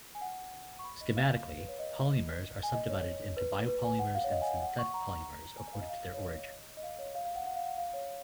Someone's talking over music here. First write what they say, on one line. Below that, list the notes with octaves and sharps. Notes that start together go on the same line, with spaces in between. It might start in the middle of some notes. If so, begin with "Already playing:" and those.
Schematically polymers are subdivided into biopolymers and synthetic polymers according to their origin.
G#5
F#5
C#6
B5
D#5
F5
B4
C#5
D#5
G#5
D#5
C#5
B4
B4
G#5
F#5
F5
C#5
D#5
G#5
F#5
F#5
C#6
A#5
G#5
F5
D#5
F5
C#5
D#5
D#5
F5
C#5
F5
F5
F#5
F#5
F5
F#5
F5
C#5